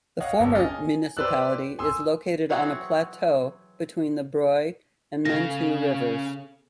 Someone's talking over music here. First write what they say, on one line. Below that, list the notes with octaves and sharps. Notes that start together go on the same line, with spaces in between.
The former municipality is located on a plateau between the Broye and Mentue rivers.
C#5 D#5 F5 F#5
G1 A#3 A4
C#4 G#4 D#5 D#6 F6 A6
G#5
G4 B4 C5 D5 E6 F#6
G#5 C6 D#6 E6
E3 F#3 C4 F#4 G#4
C#3 C#4 A4 F5 A#6